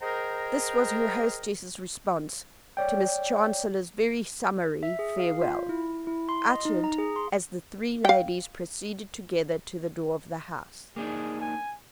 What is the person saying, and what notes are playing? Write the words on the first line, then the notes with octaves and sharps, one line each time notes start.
This was her hostess's response to Miss Chancellor's very summary farewell, uttered as the three ladies proceeded together to the door of the house.
G#4 A#4 C5 D#5 G5 A#5
C#5 D5 G5
E5
G#4
F5
F4
E4
E4
C6
D#5
D#4
A#5
G#4
C6
F5 G5
A#3 D4 D#4 G#4
G#5